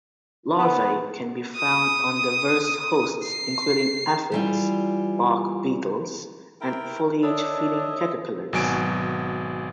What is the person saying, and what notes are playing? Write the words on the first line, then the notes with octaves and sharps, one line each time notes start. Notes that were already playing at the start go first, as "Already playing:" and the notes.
Larvae can be found on diverse hosts, including aphids, bark beetles, and foliage-feeding caterpillars.
B3
D#6
C7
E3 G3 F4
E4 A#4 G5
D4 C#5 D#5 E5
G#1 B2 F#3 G#5 D7